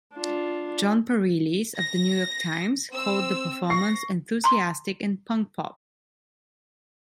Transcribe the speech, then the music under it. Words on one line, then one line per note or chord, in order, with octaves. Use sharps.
Jon Pareles of "The New York Times" called the performance enthusiastic and punk-pop.
D4 F4
A#6
C4 E6
C#6 A#6 C7
A#5 C6